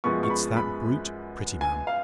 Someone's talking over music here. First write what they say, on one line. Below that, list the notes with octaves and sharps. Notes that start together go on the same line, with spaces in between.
It's that brute, Prettyman.
F#2 F3 G#3 B3 C#6
C#6
B5
B5
G#5
F5